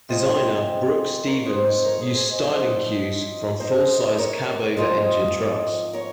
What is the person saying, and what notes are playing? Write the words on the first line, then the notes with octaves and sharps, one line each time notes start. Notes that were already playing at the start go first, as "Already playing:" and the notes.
Designer Brooks Stevens used styling cues from full-size cab-over-engine trucks.
C3 F3 G#3 C4 F4 C5 D#5
A#4 C#5
C5 D#5
C5 D#5
A#4 C#5
G#4 C5
G#4 C5
C5 D#5
F#2 F3 C4 D#4 C5 D#5
C5 D#5
A#4 C#5
G#2 F3 C4 F4 C5 D#5
A#4 C#5